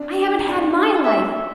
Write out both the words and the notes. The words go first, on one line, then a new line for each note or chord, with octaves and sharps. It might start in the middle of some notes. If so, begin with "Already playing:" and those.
I haven't had my life.
Already playing: D4
D4
E5